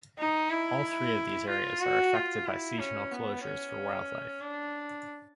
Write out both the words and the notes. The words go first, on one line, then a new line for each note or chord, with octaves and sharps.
All three of these areas are affected by seasonal closures for wildlife.
D#4
E4
F4
F#4
F4
E4
C#4
B3
C#4
D4